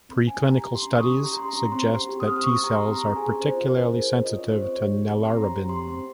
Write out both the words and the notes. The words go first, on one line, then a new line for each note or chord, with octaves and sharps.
Pre-clinical studies suggest that T-cells are particularly sensitive to nelarabine.
C4
C#4 G#5
G4
A#5
G4
C6
C#4
D#6
C#4 C#6
G4
A#5
G4 C6
A#5
C#4
C4 C6
G4
G4
D#6
C4 F6
D#6
C4 C#6
G4 A#5
C6
G4
A#5
C4
G#4 G#5
C#4
C5
F4
A#4
C#4
G#4 C5
C#4
F4 D#5
C#5
C#4
C5
C4 C#5
G4
G4
C4
C6
C4 A#5
G4
G4 C6
C4